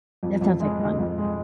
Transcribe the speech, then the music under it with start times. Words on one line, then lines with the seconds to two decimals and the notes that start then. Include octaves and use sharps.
that sounds like fun.
0.23 F2
0.41 F2
0.60 G#3
0.79 G#3
0.98 F2
1.18 G#3